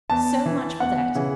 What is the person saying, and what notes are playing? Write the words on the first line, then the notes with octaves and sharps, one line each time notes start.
So much for that.
E2 A5
E3
E2 F#5
C#3 E3